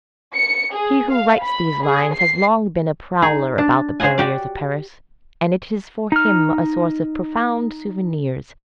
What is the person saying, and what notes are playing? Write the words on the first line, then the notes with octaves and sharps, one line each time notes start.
He who writes these lines has long been a prowler about the barriers of Paris, and it is for him a source of profound souvenirs.
C#7
G#4
F5
B5
G#4
C7
D#4 G#4
D4
G#4 C5 C#5 D#5 F#5 G#5
F#4 G4 D5
D#4 F6